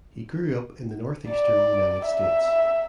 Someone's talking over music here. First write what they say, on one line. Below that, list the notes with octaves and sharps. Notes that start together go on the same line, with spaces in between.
He grew up in the Northeastern United States.
D5
E5